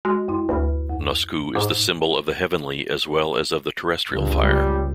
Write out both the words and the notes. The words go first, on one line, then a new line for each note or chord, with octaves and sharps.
Nusku is the symbol of the heavenly as well as of the terrestrial fire.
G#3 F#4
F#2 E4 C6
D2 B4 B5 F6
F2
G#2 D6
F#1 C#2 G2 C#3
G3